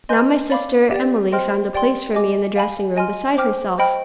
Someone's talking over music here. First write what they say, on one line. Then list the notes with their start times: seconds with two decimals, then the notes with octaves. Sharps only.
Now my sister Emilie found a place for me in the dressing-room, beside herself.
0.09 B4 D#5 G#5 C6 G6
0.50 D5 F5 B5 D6
0.91 G4 D5 G5
1.32 C5 D#5 G5 C6 F6
1.73 G4 D5 G5 C6
2.15 D#5 G#5 D6
2.56 F5 G#5 B5
2.97 D#5 G#5 C6 F6
3.37 C5 G5 D6 F6
3.78 C5 D#5 G5 B5 F6